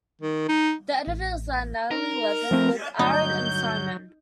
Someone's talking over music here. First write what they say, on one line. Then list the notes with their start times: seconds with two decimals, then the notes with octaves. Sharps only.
The editors are Natalie Levin, with Arad and Simon.
0.21 D#3
0.48 D#4
1.07 A1
1.91 D#4 A#4
2.51 F3 A3 C4
2.99 D2 G2 F#3 D#4 G6